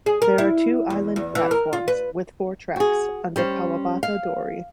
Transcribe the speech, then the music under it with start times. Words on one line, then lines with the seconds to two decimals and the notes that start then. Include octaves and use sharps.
There are two island platforms with four tracks under Kawabata Dori.
0.06 G#4
0.22 A#4
0.38 E4
0.90 E2
1.16 E2
1.35 E3
1.51 A#4
1.73 F4
1.88 B4
2.76 F#4 G#4
3.36 G3 C#4 C5
4.03 F5